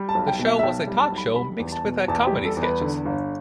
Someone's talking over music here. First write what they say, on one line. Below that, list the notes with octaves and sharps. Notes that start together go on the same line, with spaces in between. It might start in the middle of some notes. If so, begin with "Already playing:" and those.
The show was a talk show mixed with a comedy sketches.
Already playing: G3
A5
B1
G5
B2
E5
E5
B1 G5
G3
A5
B1
B5
G3 B5
E2
A5
B2
E2 A5
G4
G3
A4
E2
B4
D3
G1